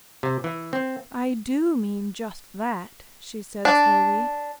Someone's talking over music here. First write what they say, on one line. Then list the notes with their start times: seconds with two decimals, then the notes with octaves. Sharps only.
"I--do--mean--just--that," she said slowly.
0.23 C3
0.44 E3
0.73 C4
3.65 D4